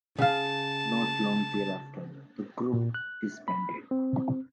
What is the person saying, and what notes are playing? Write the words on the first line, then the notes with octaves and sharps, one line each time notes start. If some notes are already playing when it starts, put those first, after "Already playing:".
Not long thereafter, the group disbanded.
C#3 F5 A5
A#2
F#6
B5
C4